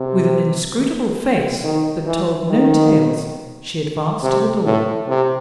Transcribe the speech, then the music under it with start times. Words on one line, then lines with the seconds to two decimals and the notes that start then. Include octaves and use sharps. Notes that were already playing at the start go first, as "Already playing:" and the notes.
With an inscrutable face that told no tales, she advanced to the door.
Already playing: C3
1.64 D#3
2.06 E3
2.49 D#3
4.23 C3
4.65 A2
5.09 C3